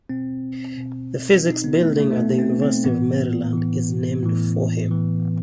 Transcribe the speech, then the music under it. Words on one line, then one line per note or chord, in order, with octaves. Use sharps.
The physics building at the University of Maryland is named for him.
B2 C4
B2
B2 D#4
B3
A3
A3
A3
B2 B3
C4
C4
A2 E3 B3
A2 E3
A2 E3
A2 E3